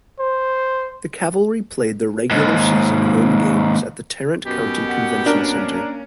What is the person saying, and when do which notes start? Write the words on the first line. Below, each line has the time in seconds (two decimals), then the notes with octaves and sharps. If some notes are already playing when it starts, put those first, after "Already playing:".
The Cavalry played their regular season home games at the Tarrant County Convention Center.
0.20 C5
2.31 D#2 G#2
4.46 F#2 B2 G4
4.88 F#5
5.26 A#3 C#4 D4 A#4